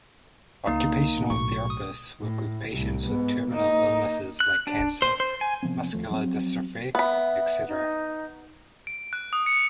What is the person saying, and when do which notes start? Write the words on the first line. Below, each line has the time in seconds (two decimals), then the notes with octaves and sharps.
Occupational therapists work with patients with terminal illness like cancer, Muscular dystrophy, etc.
0.67 C#2 A#3 D#4
1.17 A2
1.30 B1 A2 C#6
1.70 D#6
2.21 A2
2.73 C2 A2
3.06 G#2 B3
3.49 A#3 D#4
4.40 F#6
4.67 D4
5.02 C5
5.20 C5
5.41 G#5
5.63 C3 F3 B3 C4
5.93 D#2 F3 A3
6.10 F3 F#3 B3 C4
6.95 B3 E5 B5
7.68 D#4
8.87 D7
9.13 F#6
9.33 D#6
9.46 C#7